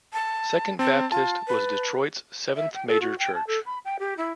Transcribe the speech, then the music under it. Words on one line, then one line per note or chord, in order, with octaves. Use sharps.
Second Baptist was Detroit's seventh major church.
A5
C4 A5
F4 A5
B4
E5
G5
A4
F#4
G5
A5
A4
B5
G5
G4
E4